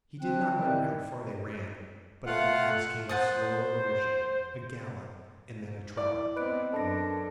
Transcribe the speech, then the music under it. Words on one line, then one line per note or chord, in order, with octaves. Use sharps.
He did not note how far they ran; but at last came a slower motion, a gallop, and then a trot.
C4 D4 G5 F#6
D#3 E3 G3
A3 F4 F5 F#5
C5 F#5 A5 D#6
E4 D5 D6
B3 C4 B4 D#5 F#6 D7
F#2 D4 A4 B4 A#6